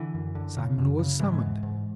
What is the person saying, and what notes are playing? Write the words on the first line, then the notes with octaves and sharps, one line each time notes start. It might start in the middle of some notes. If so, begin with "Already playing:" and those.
Simon was summoned.
Already playing: D3 E3
F#2
D3
C#3
F#2
C#3
G#2 E3 G#3
G#2
G#2